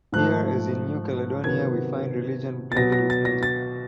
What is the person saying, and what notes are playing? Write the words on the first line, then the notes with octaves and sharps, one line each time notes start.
Here, as in New Caledonia, we find religion blended with magic.
G#2 F3 A3 F#6
C3 D#3 F#3 B3 G#6
A6
B2 F#3 B3 A#6
A#6
A6
A#6
A6